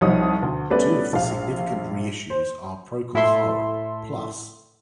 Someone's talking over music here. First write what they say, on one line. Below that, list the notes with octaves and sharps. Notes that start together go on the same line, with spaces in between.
Two of the significant reissues are Procol Harum...Plus!
C2 F3 D#4 C#5 D#6
D2
G3 A3 B3 C#4 B4 D5
A#1 F5
C5
A2 E4 A4 E5 C6